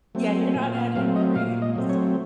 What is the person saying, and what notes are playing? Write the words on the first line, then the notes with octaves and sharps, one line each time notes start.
Yeah, you're not adding creams.
F#3 A3 C4
A#2
F5
F#3 A3 C4 F5
D#5
A#2 F5
D#5
F#3 A3 C4
C#5